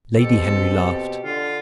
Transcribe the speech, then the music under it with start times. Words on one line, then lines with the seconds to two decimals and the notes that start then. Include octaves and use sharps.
Lady Henry laughed.
0.18 B2 C4 G4 A4
1.24 D3 F4